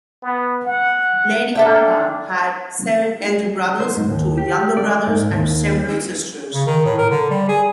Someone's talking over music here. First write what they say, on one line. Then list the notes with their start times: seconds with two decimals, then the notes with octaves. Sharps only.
Lady Fuca had seven elder brothers, two younger brothers, and several sisters.
0.22 B3
0.65 F#5
1.55 D4 A4 E5 G5
3.80 C5
3.97 G#2
4.10 D#2
4.38 G4
4.77 D5
5.07 G#2
5.32 D#2
6.54 C#3
6.66 D#3
6.85 A2
6.98 A#4
7.10 D3
7.30 G3
7.48 G#4